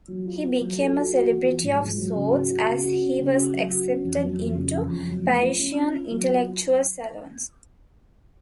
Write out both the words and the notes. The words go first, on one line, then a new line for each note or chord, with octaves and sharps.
He became a celebrity of sorts as he was accepted into Parisian intellectual salons.
F#3
F4
F4
F#3
A4
F#4
F#4
F3
F3
G#2
G#2
F#3
C#3
F#4
F#4
C#3
F#4
C#4
C#3
F#4
F#3
F#4
C#4
F2
F#3
F2
C#3
F2
F2
F#3
A3
F4
C#4
C#4
F4
F#3